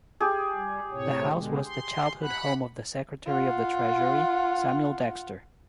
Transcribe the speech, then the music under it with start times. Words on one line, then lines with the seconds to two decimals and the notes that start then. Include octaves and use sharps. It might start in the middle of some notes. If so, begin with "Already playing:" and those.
The house was the childhood home of the Secretary of the Treasury Samuel Dexter.
0.20 G4 G#4
0.54 G3
0.91 A2 C3 C#5
1.32 B2 D3 G#3
1.66 C6
2.22 F#5 B5 F#6
3.26 F4 F#5